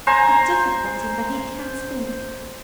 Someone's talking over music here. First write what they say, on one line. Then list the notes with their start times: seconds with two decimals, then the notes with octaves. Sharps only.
"With difficulty, but he can speak."
0.07 C5 G#5 A#5